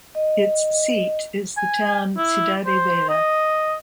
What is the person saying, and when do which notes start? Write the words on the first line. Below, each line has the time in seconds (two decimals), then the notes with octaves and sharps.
Its seat is the town Cidade Velha.
0.15 D#5
1.57 G#5
2.17 E4
2.66 C5
3.09 D#5